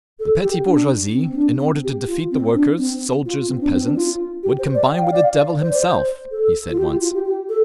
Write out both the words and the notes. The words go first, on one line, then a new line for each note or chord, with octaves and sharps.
"The petty bourgeoisie, in order to defeat the workers, soldiers and peasants, would combine with the devil himself!" he said once.
A4
G4
D4
C4
C4
D4
C4
G4
F4
C4
D4
C4
F4
C4
D4
C4
D4
F4
G4
C5
D5
G5
F5
D5
F5
D5
C5
D5
C5
A4
F4
G4
F4
F4
G4
G4
A4